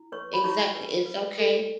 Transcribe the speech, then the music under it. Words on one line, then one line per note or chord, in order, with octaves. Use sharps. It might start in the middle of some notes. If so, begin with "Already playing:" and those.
Exactly, it's okay.
Already playing: E4
B4 C#5 C#6
B5
E4 C#5 C#6
B4
B4
A4